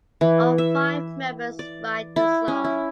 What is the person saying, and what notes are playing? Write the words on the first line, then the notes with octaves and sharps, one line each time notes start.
All five members write the songs.
E3
E5
D5
E4
C#4
E4